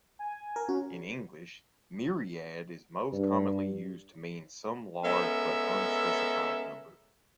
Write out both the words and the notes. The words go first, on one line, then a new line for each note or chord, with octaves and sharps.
In English, "myriad" is most commonly used to mean "some large but unspecified number".
G#5
A#4
C#4 F#4
G2
G#3 B3 C#4 A4 A#4 E5